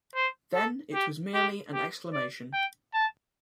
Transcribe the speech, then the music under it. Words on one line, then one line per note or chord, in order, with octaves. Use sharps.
Then it was merely an exclamation.
C5
A4
G4
G4
G4
D5
G5
A5